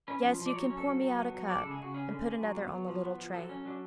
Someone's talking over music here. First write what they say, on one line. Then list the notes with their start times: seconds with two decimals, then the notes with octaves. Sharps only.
Yes, you can pour me out a cup--and put another on the little tray.
0.08 C#4 B4
0.23 F3
0.39 F3
0.46 D5
0.54 F#3 C#5
0.70 C#4
0.77 A4
0.86 F#3
1.01 F#3
1.17 B3
1.32 F#3
1.48 G#3 D5
1.59 C#3 A4
1.71 G#4
1.79 C#3 F#4
1.94 C#4 G#4
2.10 D3
2.25 D3
2.41 F#3
2.57 B3
2.72 F#3
2.88 F3
3.04 B3
3.18 F3
3.34 F#3 A4
3.49 C#4
3.65 F#3 D4